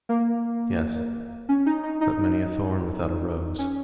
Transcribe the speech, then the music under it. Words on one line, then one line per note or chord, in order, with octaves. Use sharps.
Yes, but many a thorn without a rose.
A#3
C#4
D#4
D#4
D#4
C#4